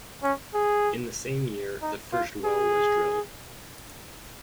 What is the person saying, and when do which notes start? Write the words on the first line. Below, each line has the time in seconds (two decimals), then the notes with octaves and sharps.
In the same year, the first well was drilled.
0.23 C#4
0.54 G#4
1.82 D#4
2.13 F4
2.45 G#4